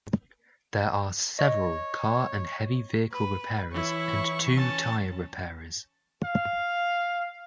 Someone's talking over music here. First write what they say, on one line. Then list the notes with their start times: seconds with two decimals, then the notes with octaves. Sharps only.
There are several car and heavy vehicle repairers and two tyre repairers.
1.39 C#5 D#5
3.11 B4
3.74 E3 E4 C#5 C#6
4.57 C#4 A5
6.25 F5